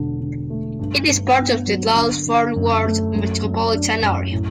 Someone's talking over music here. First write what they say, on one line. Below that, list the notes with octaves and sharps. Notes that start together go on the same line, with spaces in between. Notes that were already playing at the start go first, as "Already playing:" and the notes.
It is part of the Dallas-Fort Worth metropolitan area.
Already playing: E1 D3
D3
A3
G2
G2
B3
F#3
D3
D3
F#2
A3
F#2
F#2
D4
F#2
A2